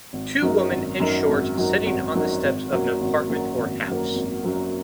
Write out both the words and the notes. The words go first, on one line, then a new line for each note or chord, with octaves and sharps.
Two women in shorts sitting on the steps of an apartment or house.
G#1
F#2 F#3 D#4 A#4
G#1
F#2 F#3 D#4 A#4
G#1
F#2 F#3 D#4 A#4
G#1
F#2 F#3 D#4 A#4
G#1
F#2 F#3 A#3
G#1
F#2 F#3 A#3
G#1
F#2 F#3 A#3
G#1
F#2 F#3 A#3